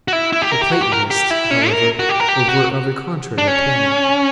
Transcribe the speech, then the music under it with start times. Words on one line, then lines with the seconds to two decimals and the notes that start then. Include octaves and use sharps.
The Platonists however were of a contrary opinion.
0.08 F#4
0.13 E4
0.33 E4
0.42 G4
0.52 A#4
0.61 G4
0.72 F#4
0.81 G4
0.92 A#4
1.11 G4
1.31 E4
1.51 C#4
1.70 A#4
1.99 F#4
2.09 G4
2.20 A#4
2.28 G4
2.49 F#4
3.38 D4
3.47 C#4